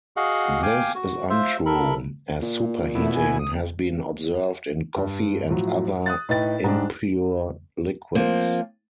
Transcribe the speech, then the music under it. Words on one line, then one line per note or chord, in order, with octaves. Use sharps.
This is untrue, as superheating has been observed in coffee and other impure liquids.
F#4 G#4 D#5 F5 F#5
F5 G5 G#5 D6
F#4
F4 C5 E5
A4 A#4 B5
A#2
B2 A3 E4
G#5
D#6
G2
A2 F3 F#3
D#6 F#6 A6
A2 D#4 B4 G5 A6
G#2 G3 D4
F3 A#3 C4